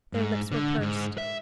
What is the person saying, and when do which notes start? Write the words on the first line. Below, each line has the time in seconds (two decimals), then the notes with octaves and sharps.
Their lips were pursed.
0.13 G#2
0.52 D3
0.81 G#2
1.18 E5